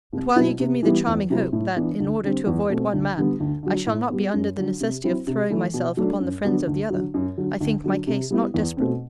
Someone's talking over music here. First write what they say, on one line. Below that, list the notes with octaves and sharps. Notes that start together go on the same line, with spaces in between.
But while you give me the charming hope, that, in order to avoid one man, I shall not be under the necessity of throwing myself upon the friends of the other; I think my case not desperate.
C2
B2 F#3 C4 E4
C3
E3 G3 B3 E4
E2
C3 F#3 C4 E4
A2
E3 B3 D4
D2
D3 G3 C4
E2
B2 A3 C4
D2
D3 G3 B3
D2
D3 F#3
A2
G3 B3
F#2
D3 F#3
C3
F#3 C4 E4
C3
E3 A3 E4
B2
F#3 A3 D4
F#2
D3 F#3 B3 D4
D2
D3 F#3
F#2
D3 F#3
D2
D3 F#3
C3
G3 B3 E4
E2
B2 A3 C4